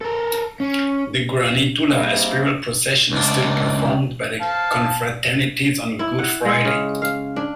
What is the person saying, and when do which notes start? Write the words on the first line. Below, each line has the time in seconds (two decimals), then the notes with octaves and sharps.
The granitula, a spiral procession, is still performed by the confraternities on Good Friday.
0.01 A4 A#4
0.60 C#4
1.91 G#2 C3 G3 A#3
3.12 C#2 D4
4.41 F5 A5
5.99 E4
6.19 F#5
6.45 G#3
6.65 C#3
7.02 F5
7.36 D4